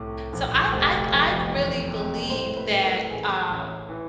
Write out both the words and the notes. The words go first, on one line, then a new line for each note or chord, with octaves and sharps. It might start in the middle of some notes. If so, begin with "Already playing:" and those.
So I I I really believe that, uh,
Already playing: C2 A2
A#1
F1
F2
E2 C#5
C3
A2 C5
B4
A2
A#4
A1 G#4
A1
E3